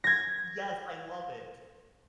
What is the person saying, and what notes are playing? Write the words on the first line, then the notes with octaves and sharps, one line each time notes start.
Yes, I love it.
G#6 A#6